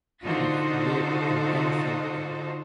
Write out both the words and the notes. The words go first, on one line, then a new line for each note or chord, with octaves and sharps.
Hanif lives in Kensington.
D3 D#4 F4 F#4 A4 C5